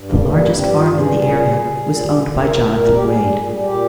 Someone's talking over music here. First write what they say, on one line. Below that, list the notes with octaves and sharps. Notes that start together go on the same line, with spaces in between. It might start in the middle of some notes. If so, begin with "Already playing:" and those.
The largest farm in the area was owned by Jonathan Wade.
Already playing: G2
G3
A#3
G3
A#3
G2
G3 C4
G2 G4
F4
G3
G#4
G3
A#2 G#4
G3
A#2
A#2
A#2
G3
A#2
A#2
A#2 A#4
A#2
A#2 A#4
G3
G4
G3 G#4
G3
A#2
G3
A#2 G4